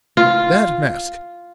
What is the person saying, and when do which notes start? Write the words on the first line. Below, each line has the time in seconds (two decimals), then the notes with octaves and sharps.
That mask!
0.17 F4